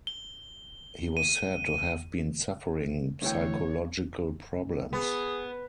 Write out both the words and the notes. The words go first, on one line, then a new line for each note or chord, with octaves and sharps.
He was said to have been suffering psychological problems.
G7
D#7
C2 A2 D3 E3 C#5 G5
B3 G#4